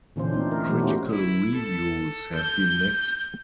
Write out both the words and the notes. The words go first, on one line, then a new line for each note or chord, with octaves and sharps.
Critical reviews have been mixed.
A#2 D3 E3 C#4 D4 C5
A3 C4 D4 D#4
A#4
B2 E3 F#3 A3 B3 G4
C#4 D#4 F#4 G4 C5
E4
A4
G6